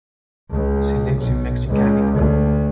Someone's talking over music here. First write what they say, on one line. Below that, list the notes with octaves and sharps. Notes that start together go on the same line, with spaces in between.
She lives in Mexicali.
C#2
B1
C#2
D2